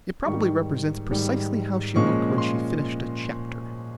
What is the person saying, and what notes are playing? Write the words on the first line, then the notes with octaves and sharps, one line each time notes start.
It probably represents precisely how she looked when she finished a chapter.
G#2 D#3 G3 C#6
G#2 D#3 G3
A#2 F3 G#3 C#4 C#6
C6